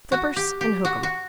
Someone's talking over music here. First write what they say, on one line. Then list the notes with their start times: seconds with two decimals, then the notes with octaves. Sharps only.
Clippurse and Hookem.
0.12 F#4
0.36 G4
0.61 G4
0.85 F#4
1.03 F#4